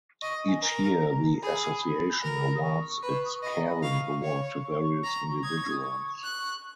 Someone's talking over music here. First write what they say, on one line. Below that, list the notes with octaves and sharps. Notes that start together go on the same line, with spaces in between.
Each year the Association awards its Caring Award to various individuals.
D#5 C#6
G#5
A#4 A#5
G#4 B5
A#4
D#6
C#6
B4
D#6
C#6
D#5 B5
A#5
B5
F5 C#6
C#5
C#6
A#5
D#6 G#6
C#6
D#6
C#6
F#6